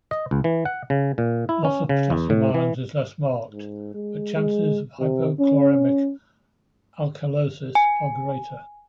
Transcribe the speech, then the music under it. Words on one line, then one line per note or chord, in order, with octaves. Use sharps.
Loss of potassium ions is less marked but chances of hypochloremic alkalosis are greater.
D#5
C#2
E3
F#5
C#3
A#2
E4
C#4
C#3
E2
A2
E3
G#2
G#3
G#3
C3
C#4
G#5